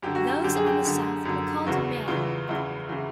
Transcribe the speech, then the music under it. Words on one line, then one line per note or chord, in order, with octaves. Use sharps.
Those on the south were called Man.
F#2 D3 G4
F#4
G4
F#2 D3 G4
G#4
G4
F#2 D3
F#2 D3
E2 C#3 E3 F#4
E2 C#3 E3 F4
E2 C#3 E3 E4
C#3 E3